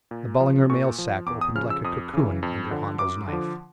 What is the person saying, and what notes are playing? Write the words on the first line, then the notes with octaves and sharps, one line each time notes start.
The Ballinger mail sack opened like a cocoon under Hondo's knife.
A#2
F3
A#2 C#6
F3
E2 D6
D#6
C#3 F3 F6
E6
F2 D#6
C#3 E3
F2
D3 F3
F#2 D6
D3 F3